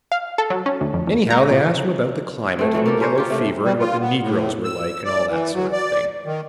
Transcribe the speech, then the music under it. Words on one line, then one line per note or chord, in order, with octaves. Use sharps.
Anyhow, they asked him about the climate, and yellow fever and what the negroes were like and all that sort of thing.
F5
A4
F#3
C#4
D2
F2
E2
A#5
A#2
A3 C4
A2 E3 F#3 A3
A#3 G4 A4 A#4
C#4 A#4 C5 C#5
F4 G4 C#5
C3 A3
G3
F4
B3
A2
E6
D5
E3
F#3
D5
D#3